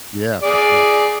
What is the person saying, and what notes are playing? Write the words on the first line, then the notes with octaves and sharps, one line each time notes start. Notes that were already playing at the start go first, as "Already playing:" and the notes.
Yeah, for sure.
G#4 D5